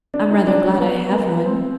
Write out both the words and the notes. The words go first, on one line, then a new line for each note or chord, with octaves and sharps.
I'm rather glad I have one.
D4
D#4
D4
C#4
B3
B3
A#3
B3
C4